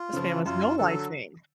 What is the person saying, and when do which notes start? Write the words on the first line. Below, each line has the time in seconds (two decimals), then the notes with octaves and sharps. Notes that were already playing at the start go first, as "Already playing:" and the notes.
This man was no lifing.
Already playing: F4
0.13 C#3 F3
0.46 F#2 F4
0.78 D3 F#3 A4